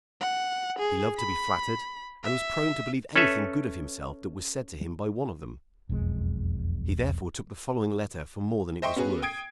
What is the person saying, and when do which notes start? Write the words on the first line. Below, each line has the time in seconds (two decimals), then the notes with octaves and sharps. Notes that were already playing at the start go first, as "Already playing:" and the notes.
He loved to be flattered, and was prone to believe anything good of himself that was said to him by one of them. He therefore took the following letter for more than it was worth.
0.20 F#5
0.79 G#4
1.17 B5
2.23 E5
3.16 C#4 A4 B4 C#5 E5
5.89 E1 B1 F2 G#3
8.82 C5 D#5 E5 G5 C6 C#6
8.96 B3 C#4 F#4 G#4 B4
9.22 G5 D#6 G#6 C7 D7